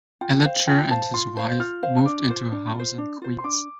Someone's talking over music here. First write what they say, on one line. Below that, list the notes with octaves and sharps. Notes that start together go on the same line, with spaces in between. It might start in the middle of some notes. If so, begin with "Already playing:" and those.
Elitcher and his wife moved into a house in Queens.
F4 G5
C5 F5
F4 G5
C5 F5 A5
F4 C6
C5 F5
G6
F4 F6
C5 F5
D4 D6
F4 C5
D4
F4 C5
D4
F4 C5
C6
D4 D6